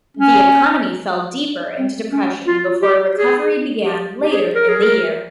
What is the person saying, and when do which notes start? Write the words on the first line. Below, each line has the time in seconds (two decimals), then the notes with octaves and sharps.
The economy fell deeper into depression before a recovery began later in the year.
0.17 C#4
1.78 C4
2.12 C#4
2.47 F4
2.82 G4
3.16 G#4
3.85 G4
4.23 G4
4.32 G#4
4.55 A#4
4.69 G#4
4.82 A#4